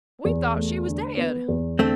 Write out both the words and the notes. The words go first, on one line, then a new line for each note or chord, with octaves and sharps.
We thought she was dead.
E2
A3
D3
B3
E2
D3 A3 C4